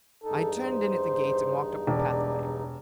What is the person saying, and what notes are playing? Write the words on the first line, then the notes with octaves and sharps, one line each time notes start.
I turned in at the gate, and walked up the pathway.
E2 G2 D#4 A4
C5
E1 D5